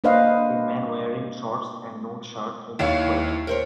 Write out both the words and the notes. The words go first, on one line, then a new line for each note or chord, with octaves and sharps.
A man wearing shorts and no shirt is squatting.
A#3 D4 B4 C5 D#5 F5
D#2 E4 C#5 F5
A#4 C5 C#5